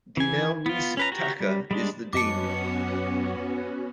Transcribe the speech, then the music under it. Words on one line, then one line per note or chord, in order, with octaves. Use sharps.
Deanell Reece Tacha is the dean.
E3 G#5
B3 F4
C#4 B4 A#5
F#4 G4 A#5
G3
G3 G#3 D4
F#2 B3 C#4 F#4 D#5 A5 D6 C#7